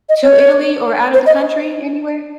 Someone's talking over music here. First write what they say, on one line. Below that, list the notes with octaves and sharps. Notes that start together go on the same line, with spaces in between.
to Italy or outta the country, anywhere?
D#5
C#5
C5
D#5